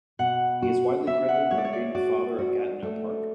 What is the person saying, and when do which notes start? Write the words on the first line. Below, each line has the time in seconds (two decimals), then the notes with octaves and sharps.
He is widely credited with being the Father of Gatineau Park.
0.19 B2 F#5
0.62 F#4
1.07 B3 E5
1.28 F#5
1.51 G#3 C#5
1.58 D5
1.64 C#5
1.73 D5
1.95 F#4 D5
2.38 F#4
2.83 A3